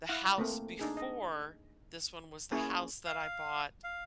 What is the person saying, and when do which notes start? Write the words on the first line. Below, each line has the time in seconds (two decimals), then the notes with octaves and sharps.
the house before this one was the house that I bought,
0.09 E4 F5 F#5
0.38 A3 A#3 C4
0.79 D4 D#4 G#4
0.97 D#5
2.51 A#3 C#4 E4 G#4 C#5
3.06 F5
3.84 F5